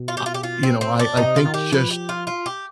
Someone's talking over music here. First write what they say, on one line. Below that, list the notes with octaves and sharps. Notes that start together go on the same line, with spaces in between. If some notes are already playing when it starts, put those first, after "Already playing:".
Ah you know, I I think just
Already playing: B2
F4
G4
F4
G4
F4
C4
C4
D4
C3 D#4
F4
D#3
G4
F3 B4
G4
F4
F4
G4